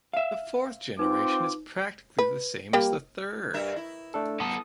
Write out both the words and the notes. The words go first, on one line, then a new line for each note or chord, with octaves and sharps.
The fourth generation is practically the same as the third.
E5 F5
C4 D#4 F4 B4 D6
B4
G3 A#3 G4
G2 A#4 E5
E4
A3 D4 A4
B3 A4 D#6